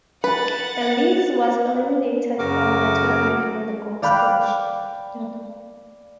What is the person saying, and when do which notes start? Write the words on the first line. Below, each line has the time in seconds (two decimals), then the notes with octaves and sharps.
Belize was eliminated from the tournament in the group stage.
0.24 B4 F#5 A6
2.39 F#2 C#3 F#4 A#4 D6
4.02 D5 F5 G5 B5 D6 F#6